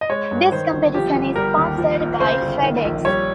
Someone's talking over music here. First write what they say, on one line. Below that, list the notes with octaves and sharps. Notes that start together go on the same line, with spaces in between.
This competition is sponsored by FedEx.
D#5
G#3 C#5
G2
D#3 C5
G1
F3 G4
G1
G3 A#4
D#2
F3
A#1
C#3 C5
G1
D#3
A#1
G3 C#5